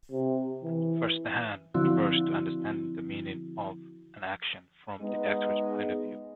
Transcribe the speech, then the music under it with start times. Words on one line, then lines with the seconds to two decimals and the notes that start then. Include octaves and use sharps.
"Verstehen" refers to understanding the meaning of action from the actor's point of view.
0.11 C3
0.63 E3
1.74 D3 F3 C4 E4 F#4
5.01 G#3 B3 D#4